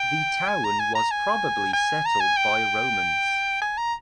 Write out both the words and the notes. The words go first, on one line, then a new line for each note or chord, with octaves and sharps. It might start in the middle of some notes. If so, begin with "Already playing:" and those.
The town was probably settled by Romans.
Already playing: G5
G#5
A#5
G#5
A#5
G#5
G#5
A#5
G#5
G5
G#5
A#5